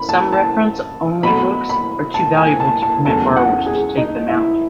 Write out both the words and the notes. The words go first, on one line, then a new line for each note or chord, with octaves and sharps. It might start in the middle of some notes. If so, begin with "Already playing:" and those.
Some reference-only books are too valuable to permit borrowers to take them out.
Already playing: F#2 B5
A5
A5
B2 F#3 A3 B5
B5
A5
G#5
A5
A5
E2 C#3 F#3 A3 C#4 A5
F#5
G#4
D#4
E4